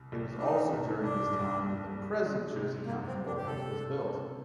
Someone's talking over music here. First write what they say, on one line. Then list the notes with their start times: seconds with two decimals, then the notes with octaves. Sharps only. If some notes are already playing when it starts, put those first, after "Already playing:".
It was also during this time that the present Jersey County Courthouse was built.
Already playing: C2
0.12 C2
0.38 D4
0.42 D#3 D#4
0.73 C2
1.04 C2 D4
1.34 C2
1.64 G3
1.95 G3
2.25 D4
2.56 C3
2.86 G3 A#3
3.07 C4
3.16 C3
3.26 D4
3.37 G4
3.47 C3 A4
3.77 D4
4.07 C3